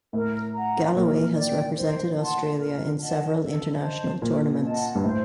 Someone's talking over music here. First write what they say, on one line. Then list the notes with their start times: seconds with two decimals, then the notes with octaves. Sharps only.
Galloway has represented Australia in several international tournaments.
0.13 A2 A#4
0.54 F#5 A#5
0.95 A#2 A#4
1.36 D5
1.41 G5
1.77 C5
2.17 F#5 A5 C6
2.58 A#4
2.99 D#5 F#5 A5
3.40 A4
3.81 C5 D#5 A5
4.22 A#2 A#4
4.62 D#5 F#5 A5
4.95 G2
5.04 A2 C5